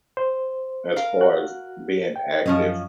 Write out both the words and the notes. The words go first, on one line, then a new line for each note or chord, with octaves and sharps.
as far as being active,
C5
A#4 F5
F#4 F#6
G5
F#2 F3 C#4 D#5